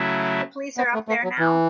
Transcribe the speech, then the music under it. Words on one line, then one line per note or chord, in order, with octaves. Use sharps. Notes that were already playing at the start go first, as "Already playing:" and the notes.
The police are up there now.
Already playing: C#3 F#3 A3 E4
B3
A3
A3
F#3
E3